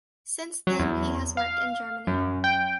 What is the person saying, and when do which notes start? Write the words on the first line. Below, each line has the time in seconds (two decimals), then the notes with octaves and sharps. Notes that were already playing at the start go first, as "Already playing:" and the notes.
Since then he has worked in Germany.
0.67 F#3
0.79 E2
1.37 F5
2.07 F#2
2.44 G5